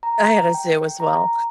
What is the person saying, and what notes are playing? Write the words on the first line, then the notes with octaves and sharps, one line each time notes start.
I had a zoo as well.
A#5
G5
A#5